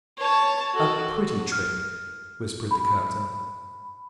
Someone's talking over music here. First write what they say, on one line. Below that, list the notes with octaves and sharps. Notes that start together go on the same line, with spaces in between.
"A pretty trick," whispered the captain.
C#5 A5
F#4 A4
F6
B5